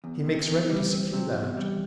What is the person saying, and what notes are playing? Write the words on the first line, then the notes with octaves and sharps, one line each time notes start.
He makes ready to secure that object.
E2
C3
E2
G3
C4
C3
E2
G3